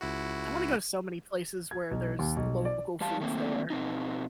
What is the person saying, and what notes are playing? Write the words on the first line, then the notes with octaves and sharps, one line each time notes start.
I wanna go so many places where there's local foods there.
C#2 E4 F#4
G#6
B1
D#2
B1
D5
E2 G3 F5 A5
D#3 A3 A#3 C4
B2 C4 D#4